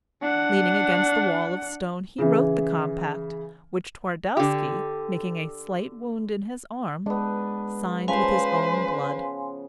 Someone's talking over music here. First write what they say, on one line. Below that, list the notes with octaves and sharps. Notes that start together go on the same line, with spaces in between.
Leaning against the wall of stone he wrote the compact, which Twardowski, making a slight wound in his arm, signed with his own blood.
D4 F#5
C#3 E3
D3 G4
G#3 B3 D4
C#3 F3 B4 C5 F5 G#5 C6